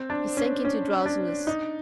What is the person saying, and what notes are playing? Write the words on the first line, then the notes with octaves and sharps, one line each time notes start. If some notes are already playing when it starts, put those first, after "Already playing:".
He sank into drowsiness.
Already playing: C4
D4
C#4
C#4
D4
D#4